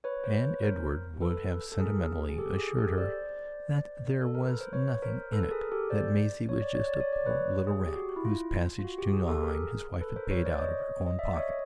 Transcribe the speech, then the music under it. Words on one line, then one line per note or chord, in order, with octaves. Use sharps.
And Edward would have sentimentally assured her that there was nothing in it; that Maisie was just a poor little rat whose passage to Nauheim his wife had paid out of her own pocket.
B4 C#5
C5
B4 C#5
A#4 C5
A4 B4
A4
G#4 A#4
G#4
G4 A4
G#4
G4 A4
C5 D5
A4
A#4
B4
C5
B4 C#5
A#4 C5
A4 B4
A4
G#4 A#4
G4 A4
C5 D5
C#5
D5
C#5
D5
C#5
D5
B4 C#5
G#4
G4
F#4
E4
F4
F4
F#4
G4
G#4
G4 A4
G#4 A#4
A4 B4
A#4 C5
B4 C#5
C5 D5
C#5 D#5
D#5
D5 E5
C#5 D#5